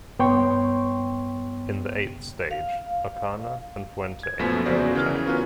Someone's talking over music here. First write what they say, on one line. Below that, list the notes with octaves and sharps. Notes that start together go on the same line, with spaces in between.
In the eighth stage, Ocana and Fuente both attacked.
G2 B3 C#5 G5 C6 C#6
F5
G#6
A#1 F#2 F3 A3 B3 B6
E2 C#3 F#4 C5 D5 A#6
C#3 E3 A#4 F6
B3 C#4 F4 F#4 A#4 B4